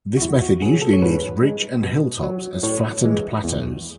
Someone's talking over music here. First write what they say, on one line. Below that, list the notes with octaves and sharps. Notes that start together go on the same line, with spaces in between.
This method usually leaves ridge and hill tops as flattened plateaus.
F#4
E2 E4
F#4
B2 F#3 G#4
A4
C#5
G#2 B4
G#3
B2
F#3
A2 C#5
E3 G#3
E2